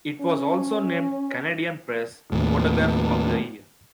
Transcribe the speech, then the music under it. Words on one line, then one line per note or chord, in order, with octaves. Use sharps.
It was also named "Canadian Press" photograph of the year.
C#4
D#2 A2